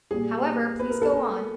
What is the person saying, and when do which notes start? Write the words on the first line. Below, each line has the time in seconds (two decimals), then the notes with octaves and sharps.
"However, please go on."
0.11 A#2 G3 G#4
0.79 B4
0.90 A#4
1.02 A4
1.12 A#4